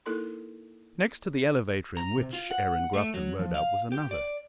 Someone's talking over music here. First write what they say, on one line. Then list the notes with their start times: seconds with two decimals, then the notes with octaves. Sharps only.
Next to the elevator in which Aaron Grafton rode up was another.
0.06 A#3 D#4 E4 A4 A#4 C6
1.97 A#5
2.18 C3
2.33 F4
2.51 F#5
2.94 A3
3.14 F#3
3.39 F3
3.54 F5
3.92 G4
4.11 D5